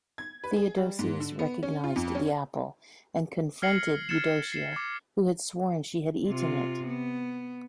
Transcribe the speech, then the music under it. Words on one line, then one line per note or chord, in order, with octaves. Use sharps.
Theodosius recognized the apple and confronted Eudocia who had sworn she had eaten it.
G#6
B4
G#4
G3
G#2
D3
B3
C#4
F4
F2
C#4
F6 G#6 A#6 C7 C#7 F#7
F6 G#6 A6 C#7 E7 F#7
C7 E7
D6 G#6
C3 F4
B3